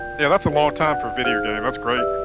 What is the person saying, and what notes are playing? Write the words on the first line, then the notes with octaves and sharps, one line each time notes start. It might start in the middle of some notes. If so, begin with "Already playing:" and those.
Yeah, that's a long time for a video game, that's great.
Already playing: F4 A#4 D5 G5 G6
D4 F#4 B4 D5
F#5 F#6
D#4 G#4 C5 F5 F6
G4 B4 D5 E5 E6